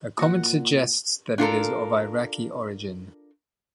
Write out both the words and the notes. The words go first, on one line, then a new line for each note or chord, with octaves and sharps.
A comment suggests that it is of Iraqi origin.
A#2 F#4 F#5
D4 F4 A4 A#4